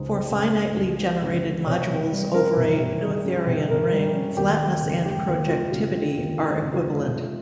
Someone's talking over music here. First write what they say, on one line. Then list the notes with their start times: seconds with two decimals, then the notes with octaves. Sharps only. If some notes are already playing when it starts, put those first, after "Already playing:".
For finitely generated modules over a Noetherian ring, flatness and projectivity are equivalent.
Already playing: C#2 C#3 G#3 D#4 C5
0.09 C4
0.31 C#3
0.54 G#3
0.76 C#2
0.99 C4
1.22 C#3
1.44 G#3
1.66 C3 C#5
1.89 C3
2.12 G3
2.34 C#4 A#4
2.57 C3
2.79 C3
3.01 G3 G#4
3.24 C#4
3.47 C3
3.69 C3 A#4
3.92 G3
4.14 C#4
4.37 D#2 G4
4.59 D#2
4.82 C#3
5.05 G#3 G4
5.28 D#2
5.49 D#2 F4
5.72 C#3 F4
5.94 G#3
6.17 D#2
6.39 D#2 D#4
6.62 C#3
6.74 F4
6.85 G#3
7.07 C3